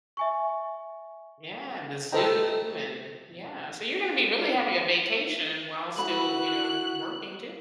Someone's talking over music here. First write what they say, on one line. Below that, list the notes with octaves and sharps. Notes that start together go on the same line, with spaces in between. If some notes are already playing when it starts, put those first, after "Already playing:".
Yeah, and the zoo and yeah. So, you're gonna be really having a vacation while still, you know, working too.
E5 G#5 C#6
A4 B4 C5 D#5 G5 A#5
E4 F#4 A4 B5 F#6